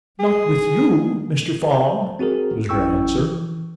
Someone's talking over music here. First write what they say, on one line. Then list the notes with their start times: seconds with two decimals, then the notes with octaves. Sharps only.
"Not with you, Mr. Fogg," was her answer.
0.20 G#4
1.70 C5 A5
2.19 C4 F#4 G#4 A#4
2.69 G#1 C#4 E4 G5 C#6 E6
3.19 E3